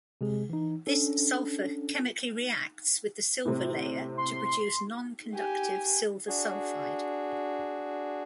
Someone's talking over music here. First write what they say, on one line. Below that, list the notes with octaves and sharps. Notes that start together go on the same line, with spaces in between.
This sulfur chemically reacts with the silver layer to produce non-conductive silver sulfide.
C3 G#3 G#4
E3 D#4
C#4 D4 A4
A2 C3
C6
G4 G#5
D4 F#4 G#4